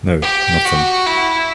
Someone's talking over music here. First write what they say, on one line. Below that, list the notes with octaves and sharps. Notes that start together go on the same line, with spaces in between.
No nothing.
G4
F#4
E4